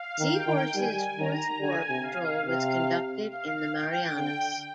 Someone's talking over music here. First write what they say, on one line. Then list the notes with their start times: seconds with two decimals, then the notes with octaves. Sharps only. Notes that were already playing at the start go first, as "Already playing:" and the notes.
"Seahorse"'s fourth war patrol was conducted in the Marianas.
Already playing: F5
0.19 D#3
0.33 G5
0.47 D#3
0.75 G3 G#5
1.18 D#3 A#5
1.60 D3 G#5
1.89 C3
2.03 F5
2.46 C3 F5
3.30 F5
3.74 G5
4.15 D3 G5